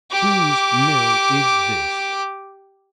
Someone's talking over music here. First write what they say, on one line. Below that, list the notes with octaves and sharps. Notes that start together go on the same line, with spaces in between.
"Whose mill is this?"
G4 D6